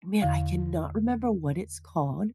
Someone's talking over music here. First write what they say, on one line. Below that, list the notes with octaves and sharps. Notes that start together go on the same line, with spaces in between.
man, I cannot remember what it's called,
E2 D3 F5